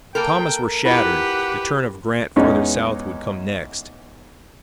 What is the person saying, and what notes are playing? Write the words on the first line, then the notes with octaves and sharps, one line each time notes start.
If Thomas were shattered the turn of Grant farther south would come next.
A#3 A4 A#4 G5
E4 F4 G4 B4 F#5
E2 G#3 C#4 D#4